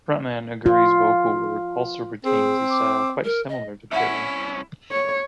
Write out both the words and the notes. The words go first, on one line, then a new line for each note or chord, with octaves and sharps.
Frontman Augeri's vocal work also retains a style quite similar to Perry.
F4
C4 G#4
D6
A#4
D#5
C2 C#4 E4 E5 F#5
C#5